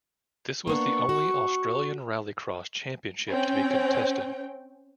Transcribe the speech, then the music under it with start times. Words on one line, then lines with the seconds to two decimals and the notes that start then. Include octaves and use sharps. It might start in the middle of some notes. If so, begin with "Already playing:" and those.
This was the only Australian Rallycross Championship to be contested.
0.67 A#3 B3 D4 C#6
1.09 F#4
3.29 C4 C#4 G5